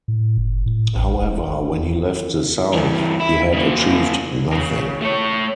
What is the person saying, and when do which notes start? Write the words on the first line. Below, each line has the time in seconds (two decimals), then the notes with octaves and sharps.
However, when he left the south, he had achieved nothing.
0.08 A2
0.38 F#1
0.66 A2
0.95 A1
1.22 E1
2.73 G2 E3
3.20 E4
3.54 C#3 A#3
4.53 C#3
5.01 A3 C#5